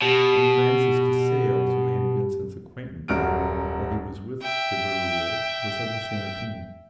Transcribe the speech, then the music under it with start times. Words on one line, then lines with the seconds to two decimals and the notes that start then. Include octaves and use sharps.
St. Francis de Sales, who made Vincent's acquaintance while he was with de Berulle, was of the same opinion.
0.02 B2 G4
3.08 D#1 F#2 F#4 F6 D7
4.42 E5 G5